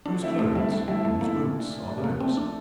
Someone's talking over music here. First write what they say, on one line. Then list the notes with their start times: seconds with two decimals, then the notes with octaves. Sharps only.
Whose clothes, whose boots, are those?
0.05 D3 D4
0.22 A3 C4 E4
0.39 D3 A3
0.55 G3 A3 C4 E4
0.72 D3 A3
0.88 F3 G3 A3 E4
1.05 D3 A3
1.21 F3 A3 A#3 E4
1.38 A#2
1.54 A3 D4
1.71 A#2
1.87 A3 D4
2.04 F3 A#3
2.20 A3 C4 D4
2.37 F3 D4